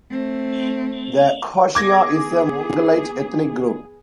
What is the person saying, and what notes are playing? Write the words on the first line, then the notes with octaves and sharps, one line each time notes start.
The Khasia is a Mongolite ethnic group.
A3 C4
B3 G#4 D6 G#6 A#6